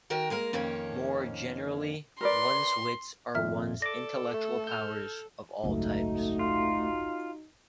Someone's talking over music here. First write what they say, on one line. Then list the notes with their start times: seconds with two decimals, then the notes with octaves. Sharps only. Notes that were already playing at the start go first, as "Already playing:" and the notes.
More generally, one's wits are one's intellectual powers of all types.
0.10 D#3 F#4 A#4 G5
0.30 G#3 A#3 A#4
0.53 F2 D#3 A#3 C#4
2.21 A#4 B4 D5 C6
3.35 G#1 F2 A#2 E5 F6
3.82 A4 D5 D6 A#6
4.34 A3
4.67 F6 G6
5.63 G#1 C#2 F#2 A3 D#4 F#4
6.39 F4